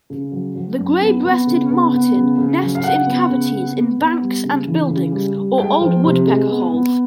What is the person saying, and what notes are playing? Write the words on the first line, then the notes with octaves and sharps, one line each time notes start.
The grey-breasted martin nests in cavities in banks and buildings, or old woodpecker holes.
C#3
F#3
F#3
F#2
B3
B3
C#3
B3
B3
C#3
C#3
F#3
F5
C#3 F#5
B3
C#3
B3
B3
B3
G3
C#3
E3
C#3
G3
G3
G#3 G5
F3
C3
G#3
B3
B3